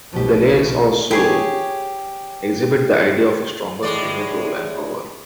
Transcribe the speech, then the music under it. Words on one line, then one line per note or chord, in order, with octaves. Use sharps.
The lais also exhibit the idea of a stronger female role and power.
B1 B2 F3 G4
G4 G#4 C#5
A2 G#3 D5